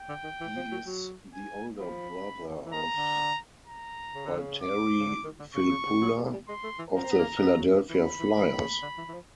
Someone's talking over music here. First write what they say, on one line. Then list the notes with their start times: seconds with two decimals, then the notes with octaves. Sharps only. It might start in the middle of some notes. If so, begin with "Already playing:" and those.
He is the older brother of Valtteri Filppula of the Philadelphia Flyers.
Already playing: G5
0.09 D3
0.24 D#3
0.41 E3
0.56 F3
0.71 F#3
0.86 F#3
1.34 G#5
1.80 F3 B5
2.65 E3
2.74 D#3 A#5
2.97 D3
3.68 A#5
4.14 C#3
4.26 D3
4.38 C#3
4.61 D6
4.99 C#3
5.07 D3
5.24 D#3
5.39 D3
5.55 C#3 C#6
5.71 C#3
5.86 C#3
6.01 F#3
6.17 G3
6.32 G3
6.48 G#3 C6
6.64 A3
6.79 E3
6.95 F3 A#5
7.04 C4
7.11 B3
7.18 A#3
7.42 B3
7.58 F#3
7.73 F3
7.88 E3 B5
8.04 F3
8.19 E3
8.35 D#3
8.59 C#3
8.82 D3
8.98 E3
9.08 E3
9.14 F3